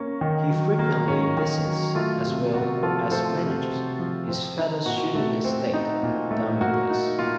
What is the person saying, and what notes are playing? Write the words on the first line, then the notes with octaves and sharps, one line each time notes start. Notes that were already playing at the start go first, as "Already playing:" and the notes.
He frequently visits, as well as manages, his father's shooting estate, Dunmaglass.
Already playing: A#3 C#4
D#3
F#3
A#3
C#4
D#3
F#3
A3 F4
C3
C3 F#4
F3 F4 A4
A3 A4 C5
C3
C3
F3
C4
D#4
A#2 F#4
A3
C4
D#4
A#2
A3
A#3 F#4
D#4
A#2 F4